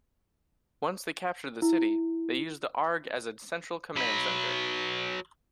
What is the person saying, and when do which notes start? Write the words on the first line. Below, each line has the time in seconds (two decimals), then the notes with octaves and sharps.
Once they captured the city, they used the Arg as a central command center.
1.62 E4
3.96 F#3 B4